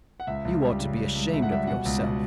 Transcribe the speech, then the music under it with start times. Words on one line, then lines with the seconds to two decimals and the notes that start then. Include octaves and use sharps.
You ought to be ashamed of yourself.
0.20 F#5
0.27 C#2 E5
0.45 C#2
0.62 G3
0.80 C#3
0.97 G3
1.15 C#2
1.33 C#2 E5
1.42 F#5
1.51 G3 E5
1.67 B2 F#5
1.85 C#2
2.03 B2